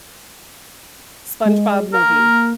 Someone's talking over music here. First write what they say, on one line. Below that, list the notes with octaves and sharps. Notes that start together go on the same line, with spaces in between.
SpongeBob movie.
G#3
A#3 A#4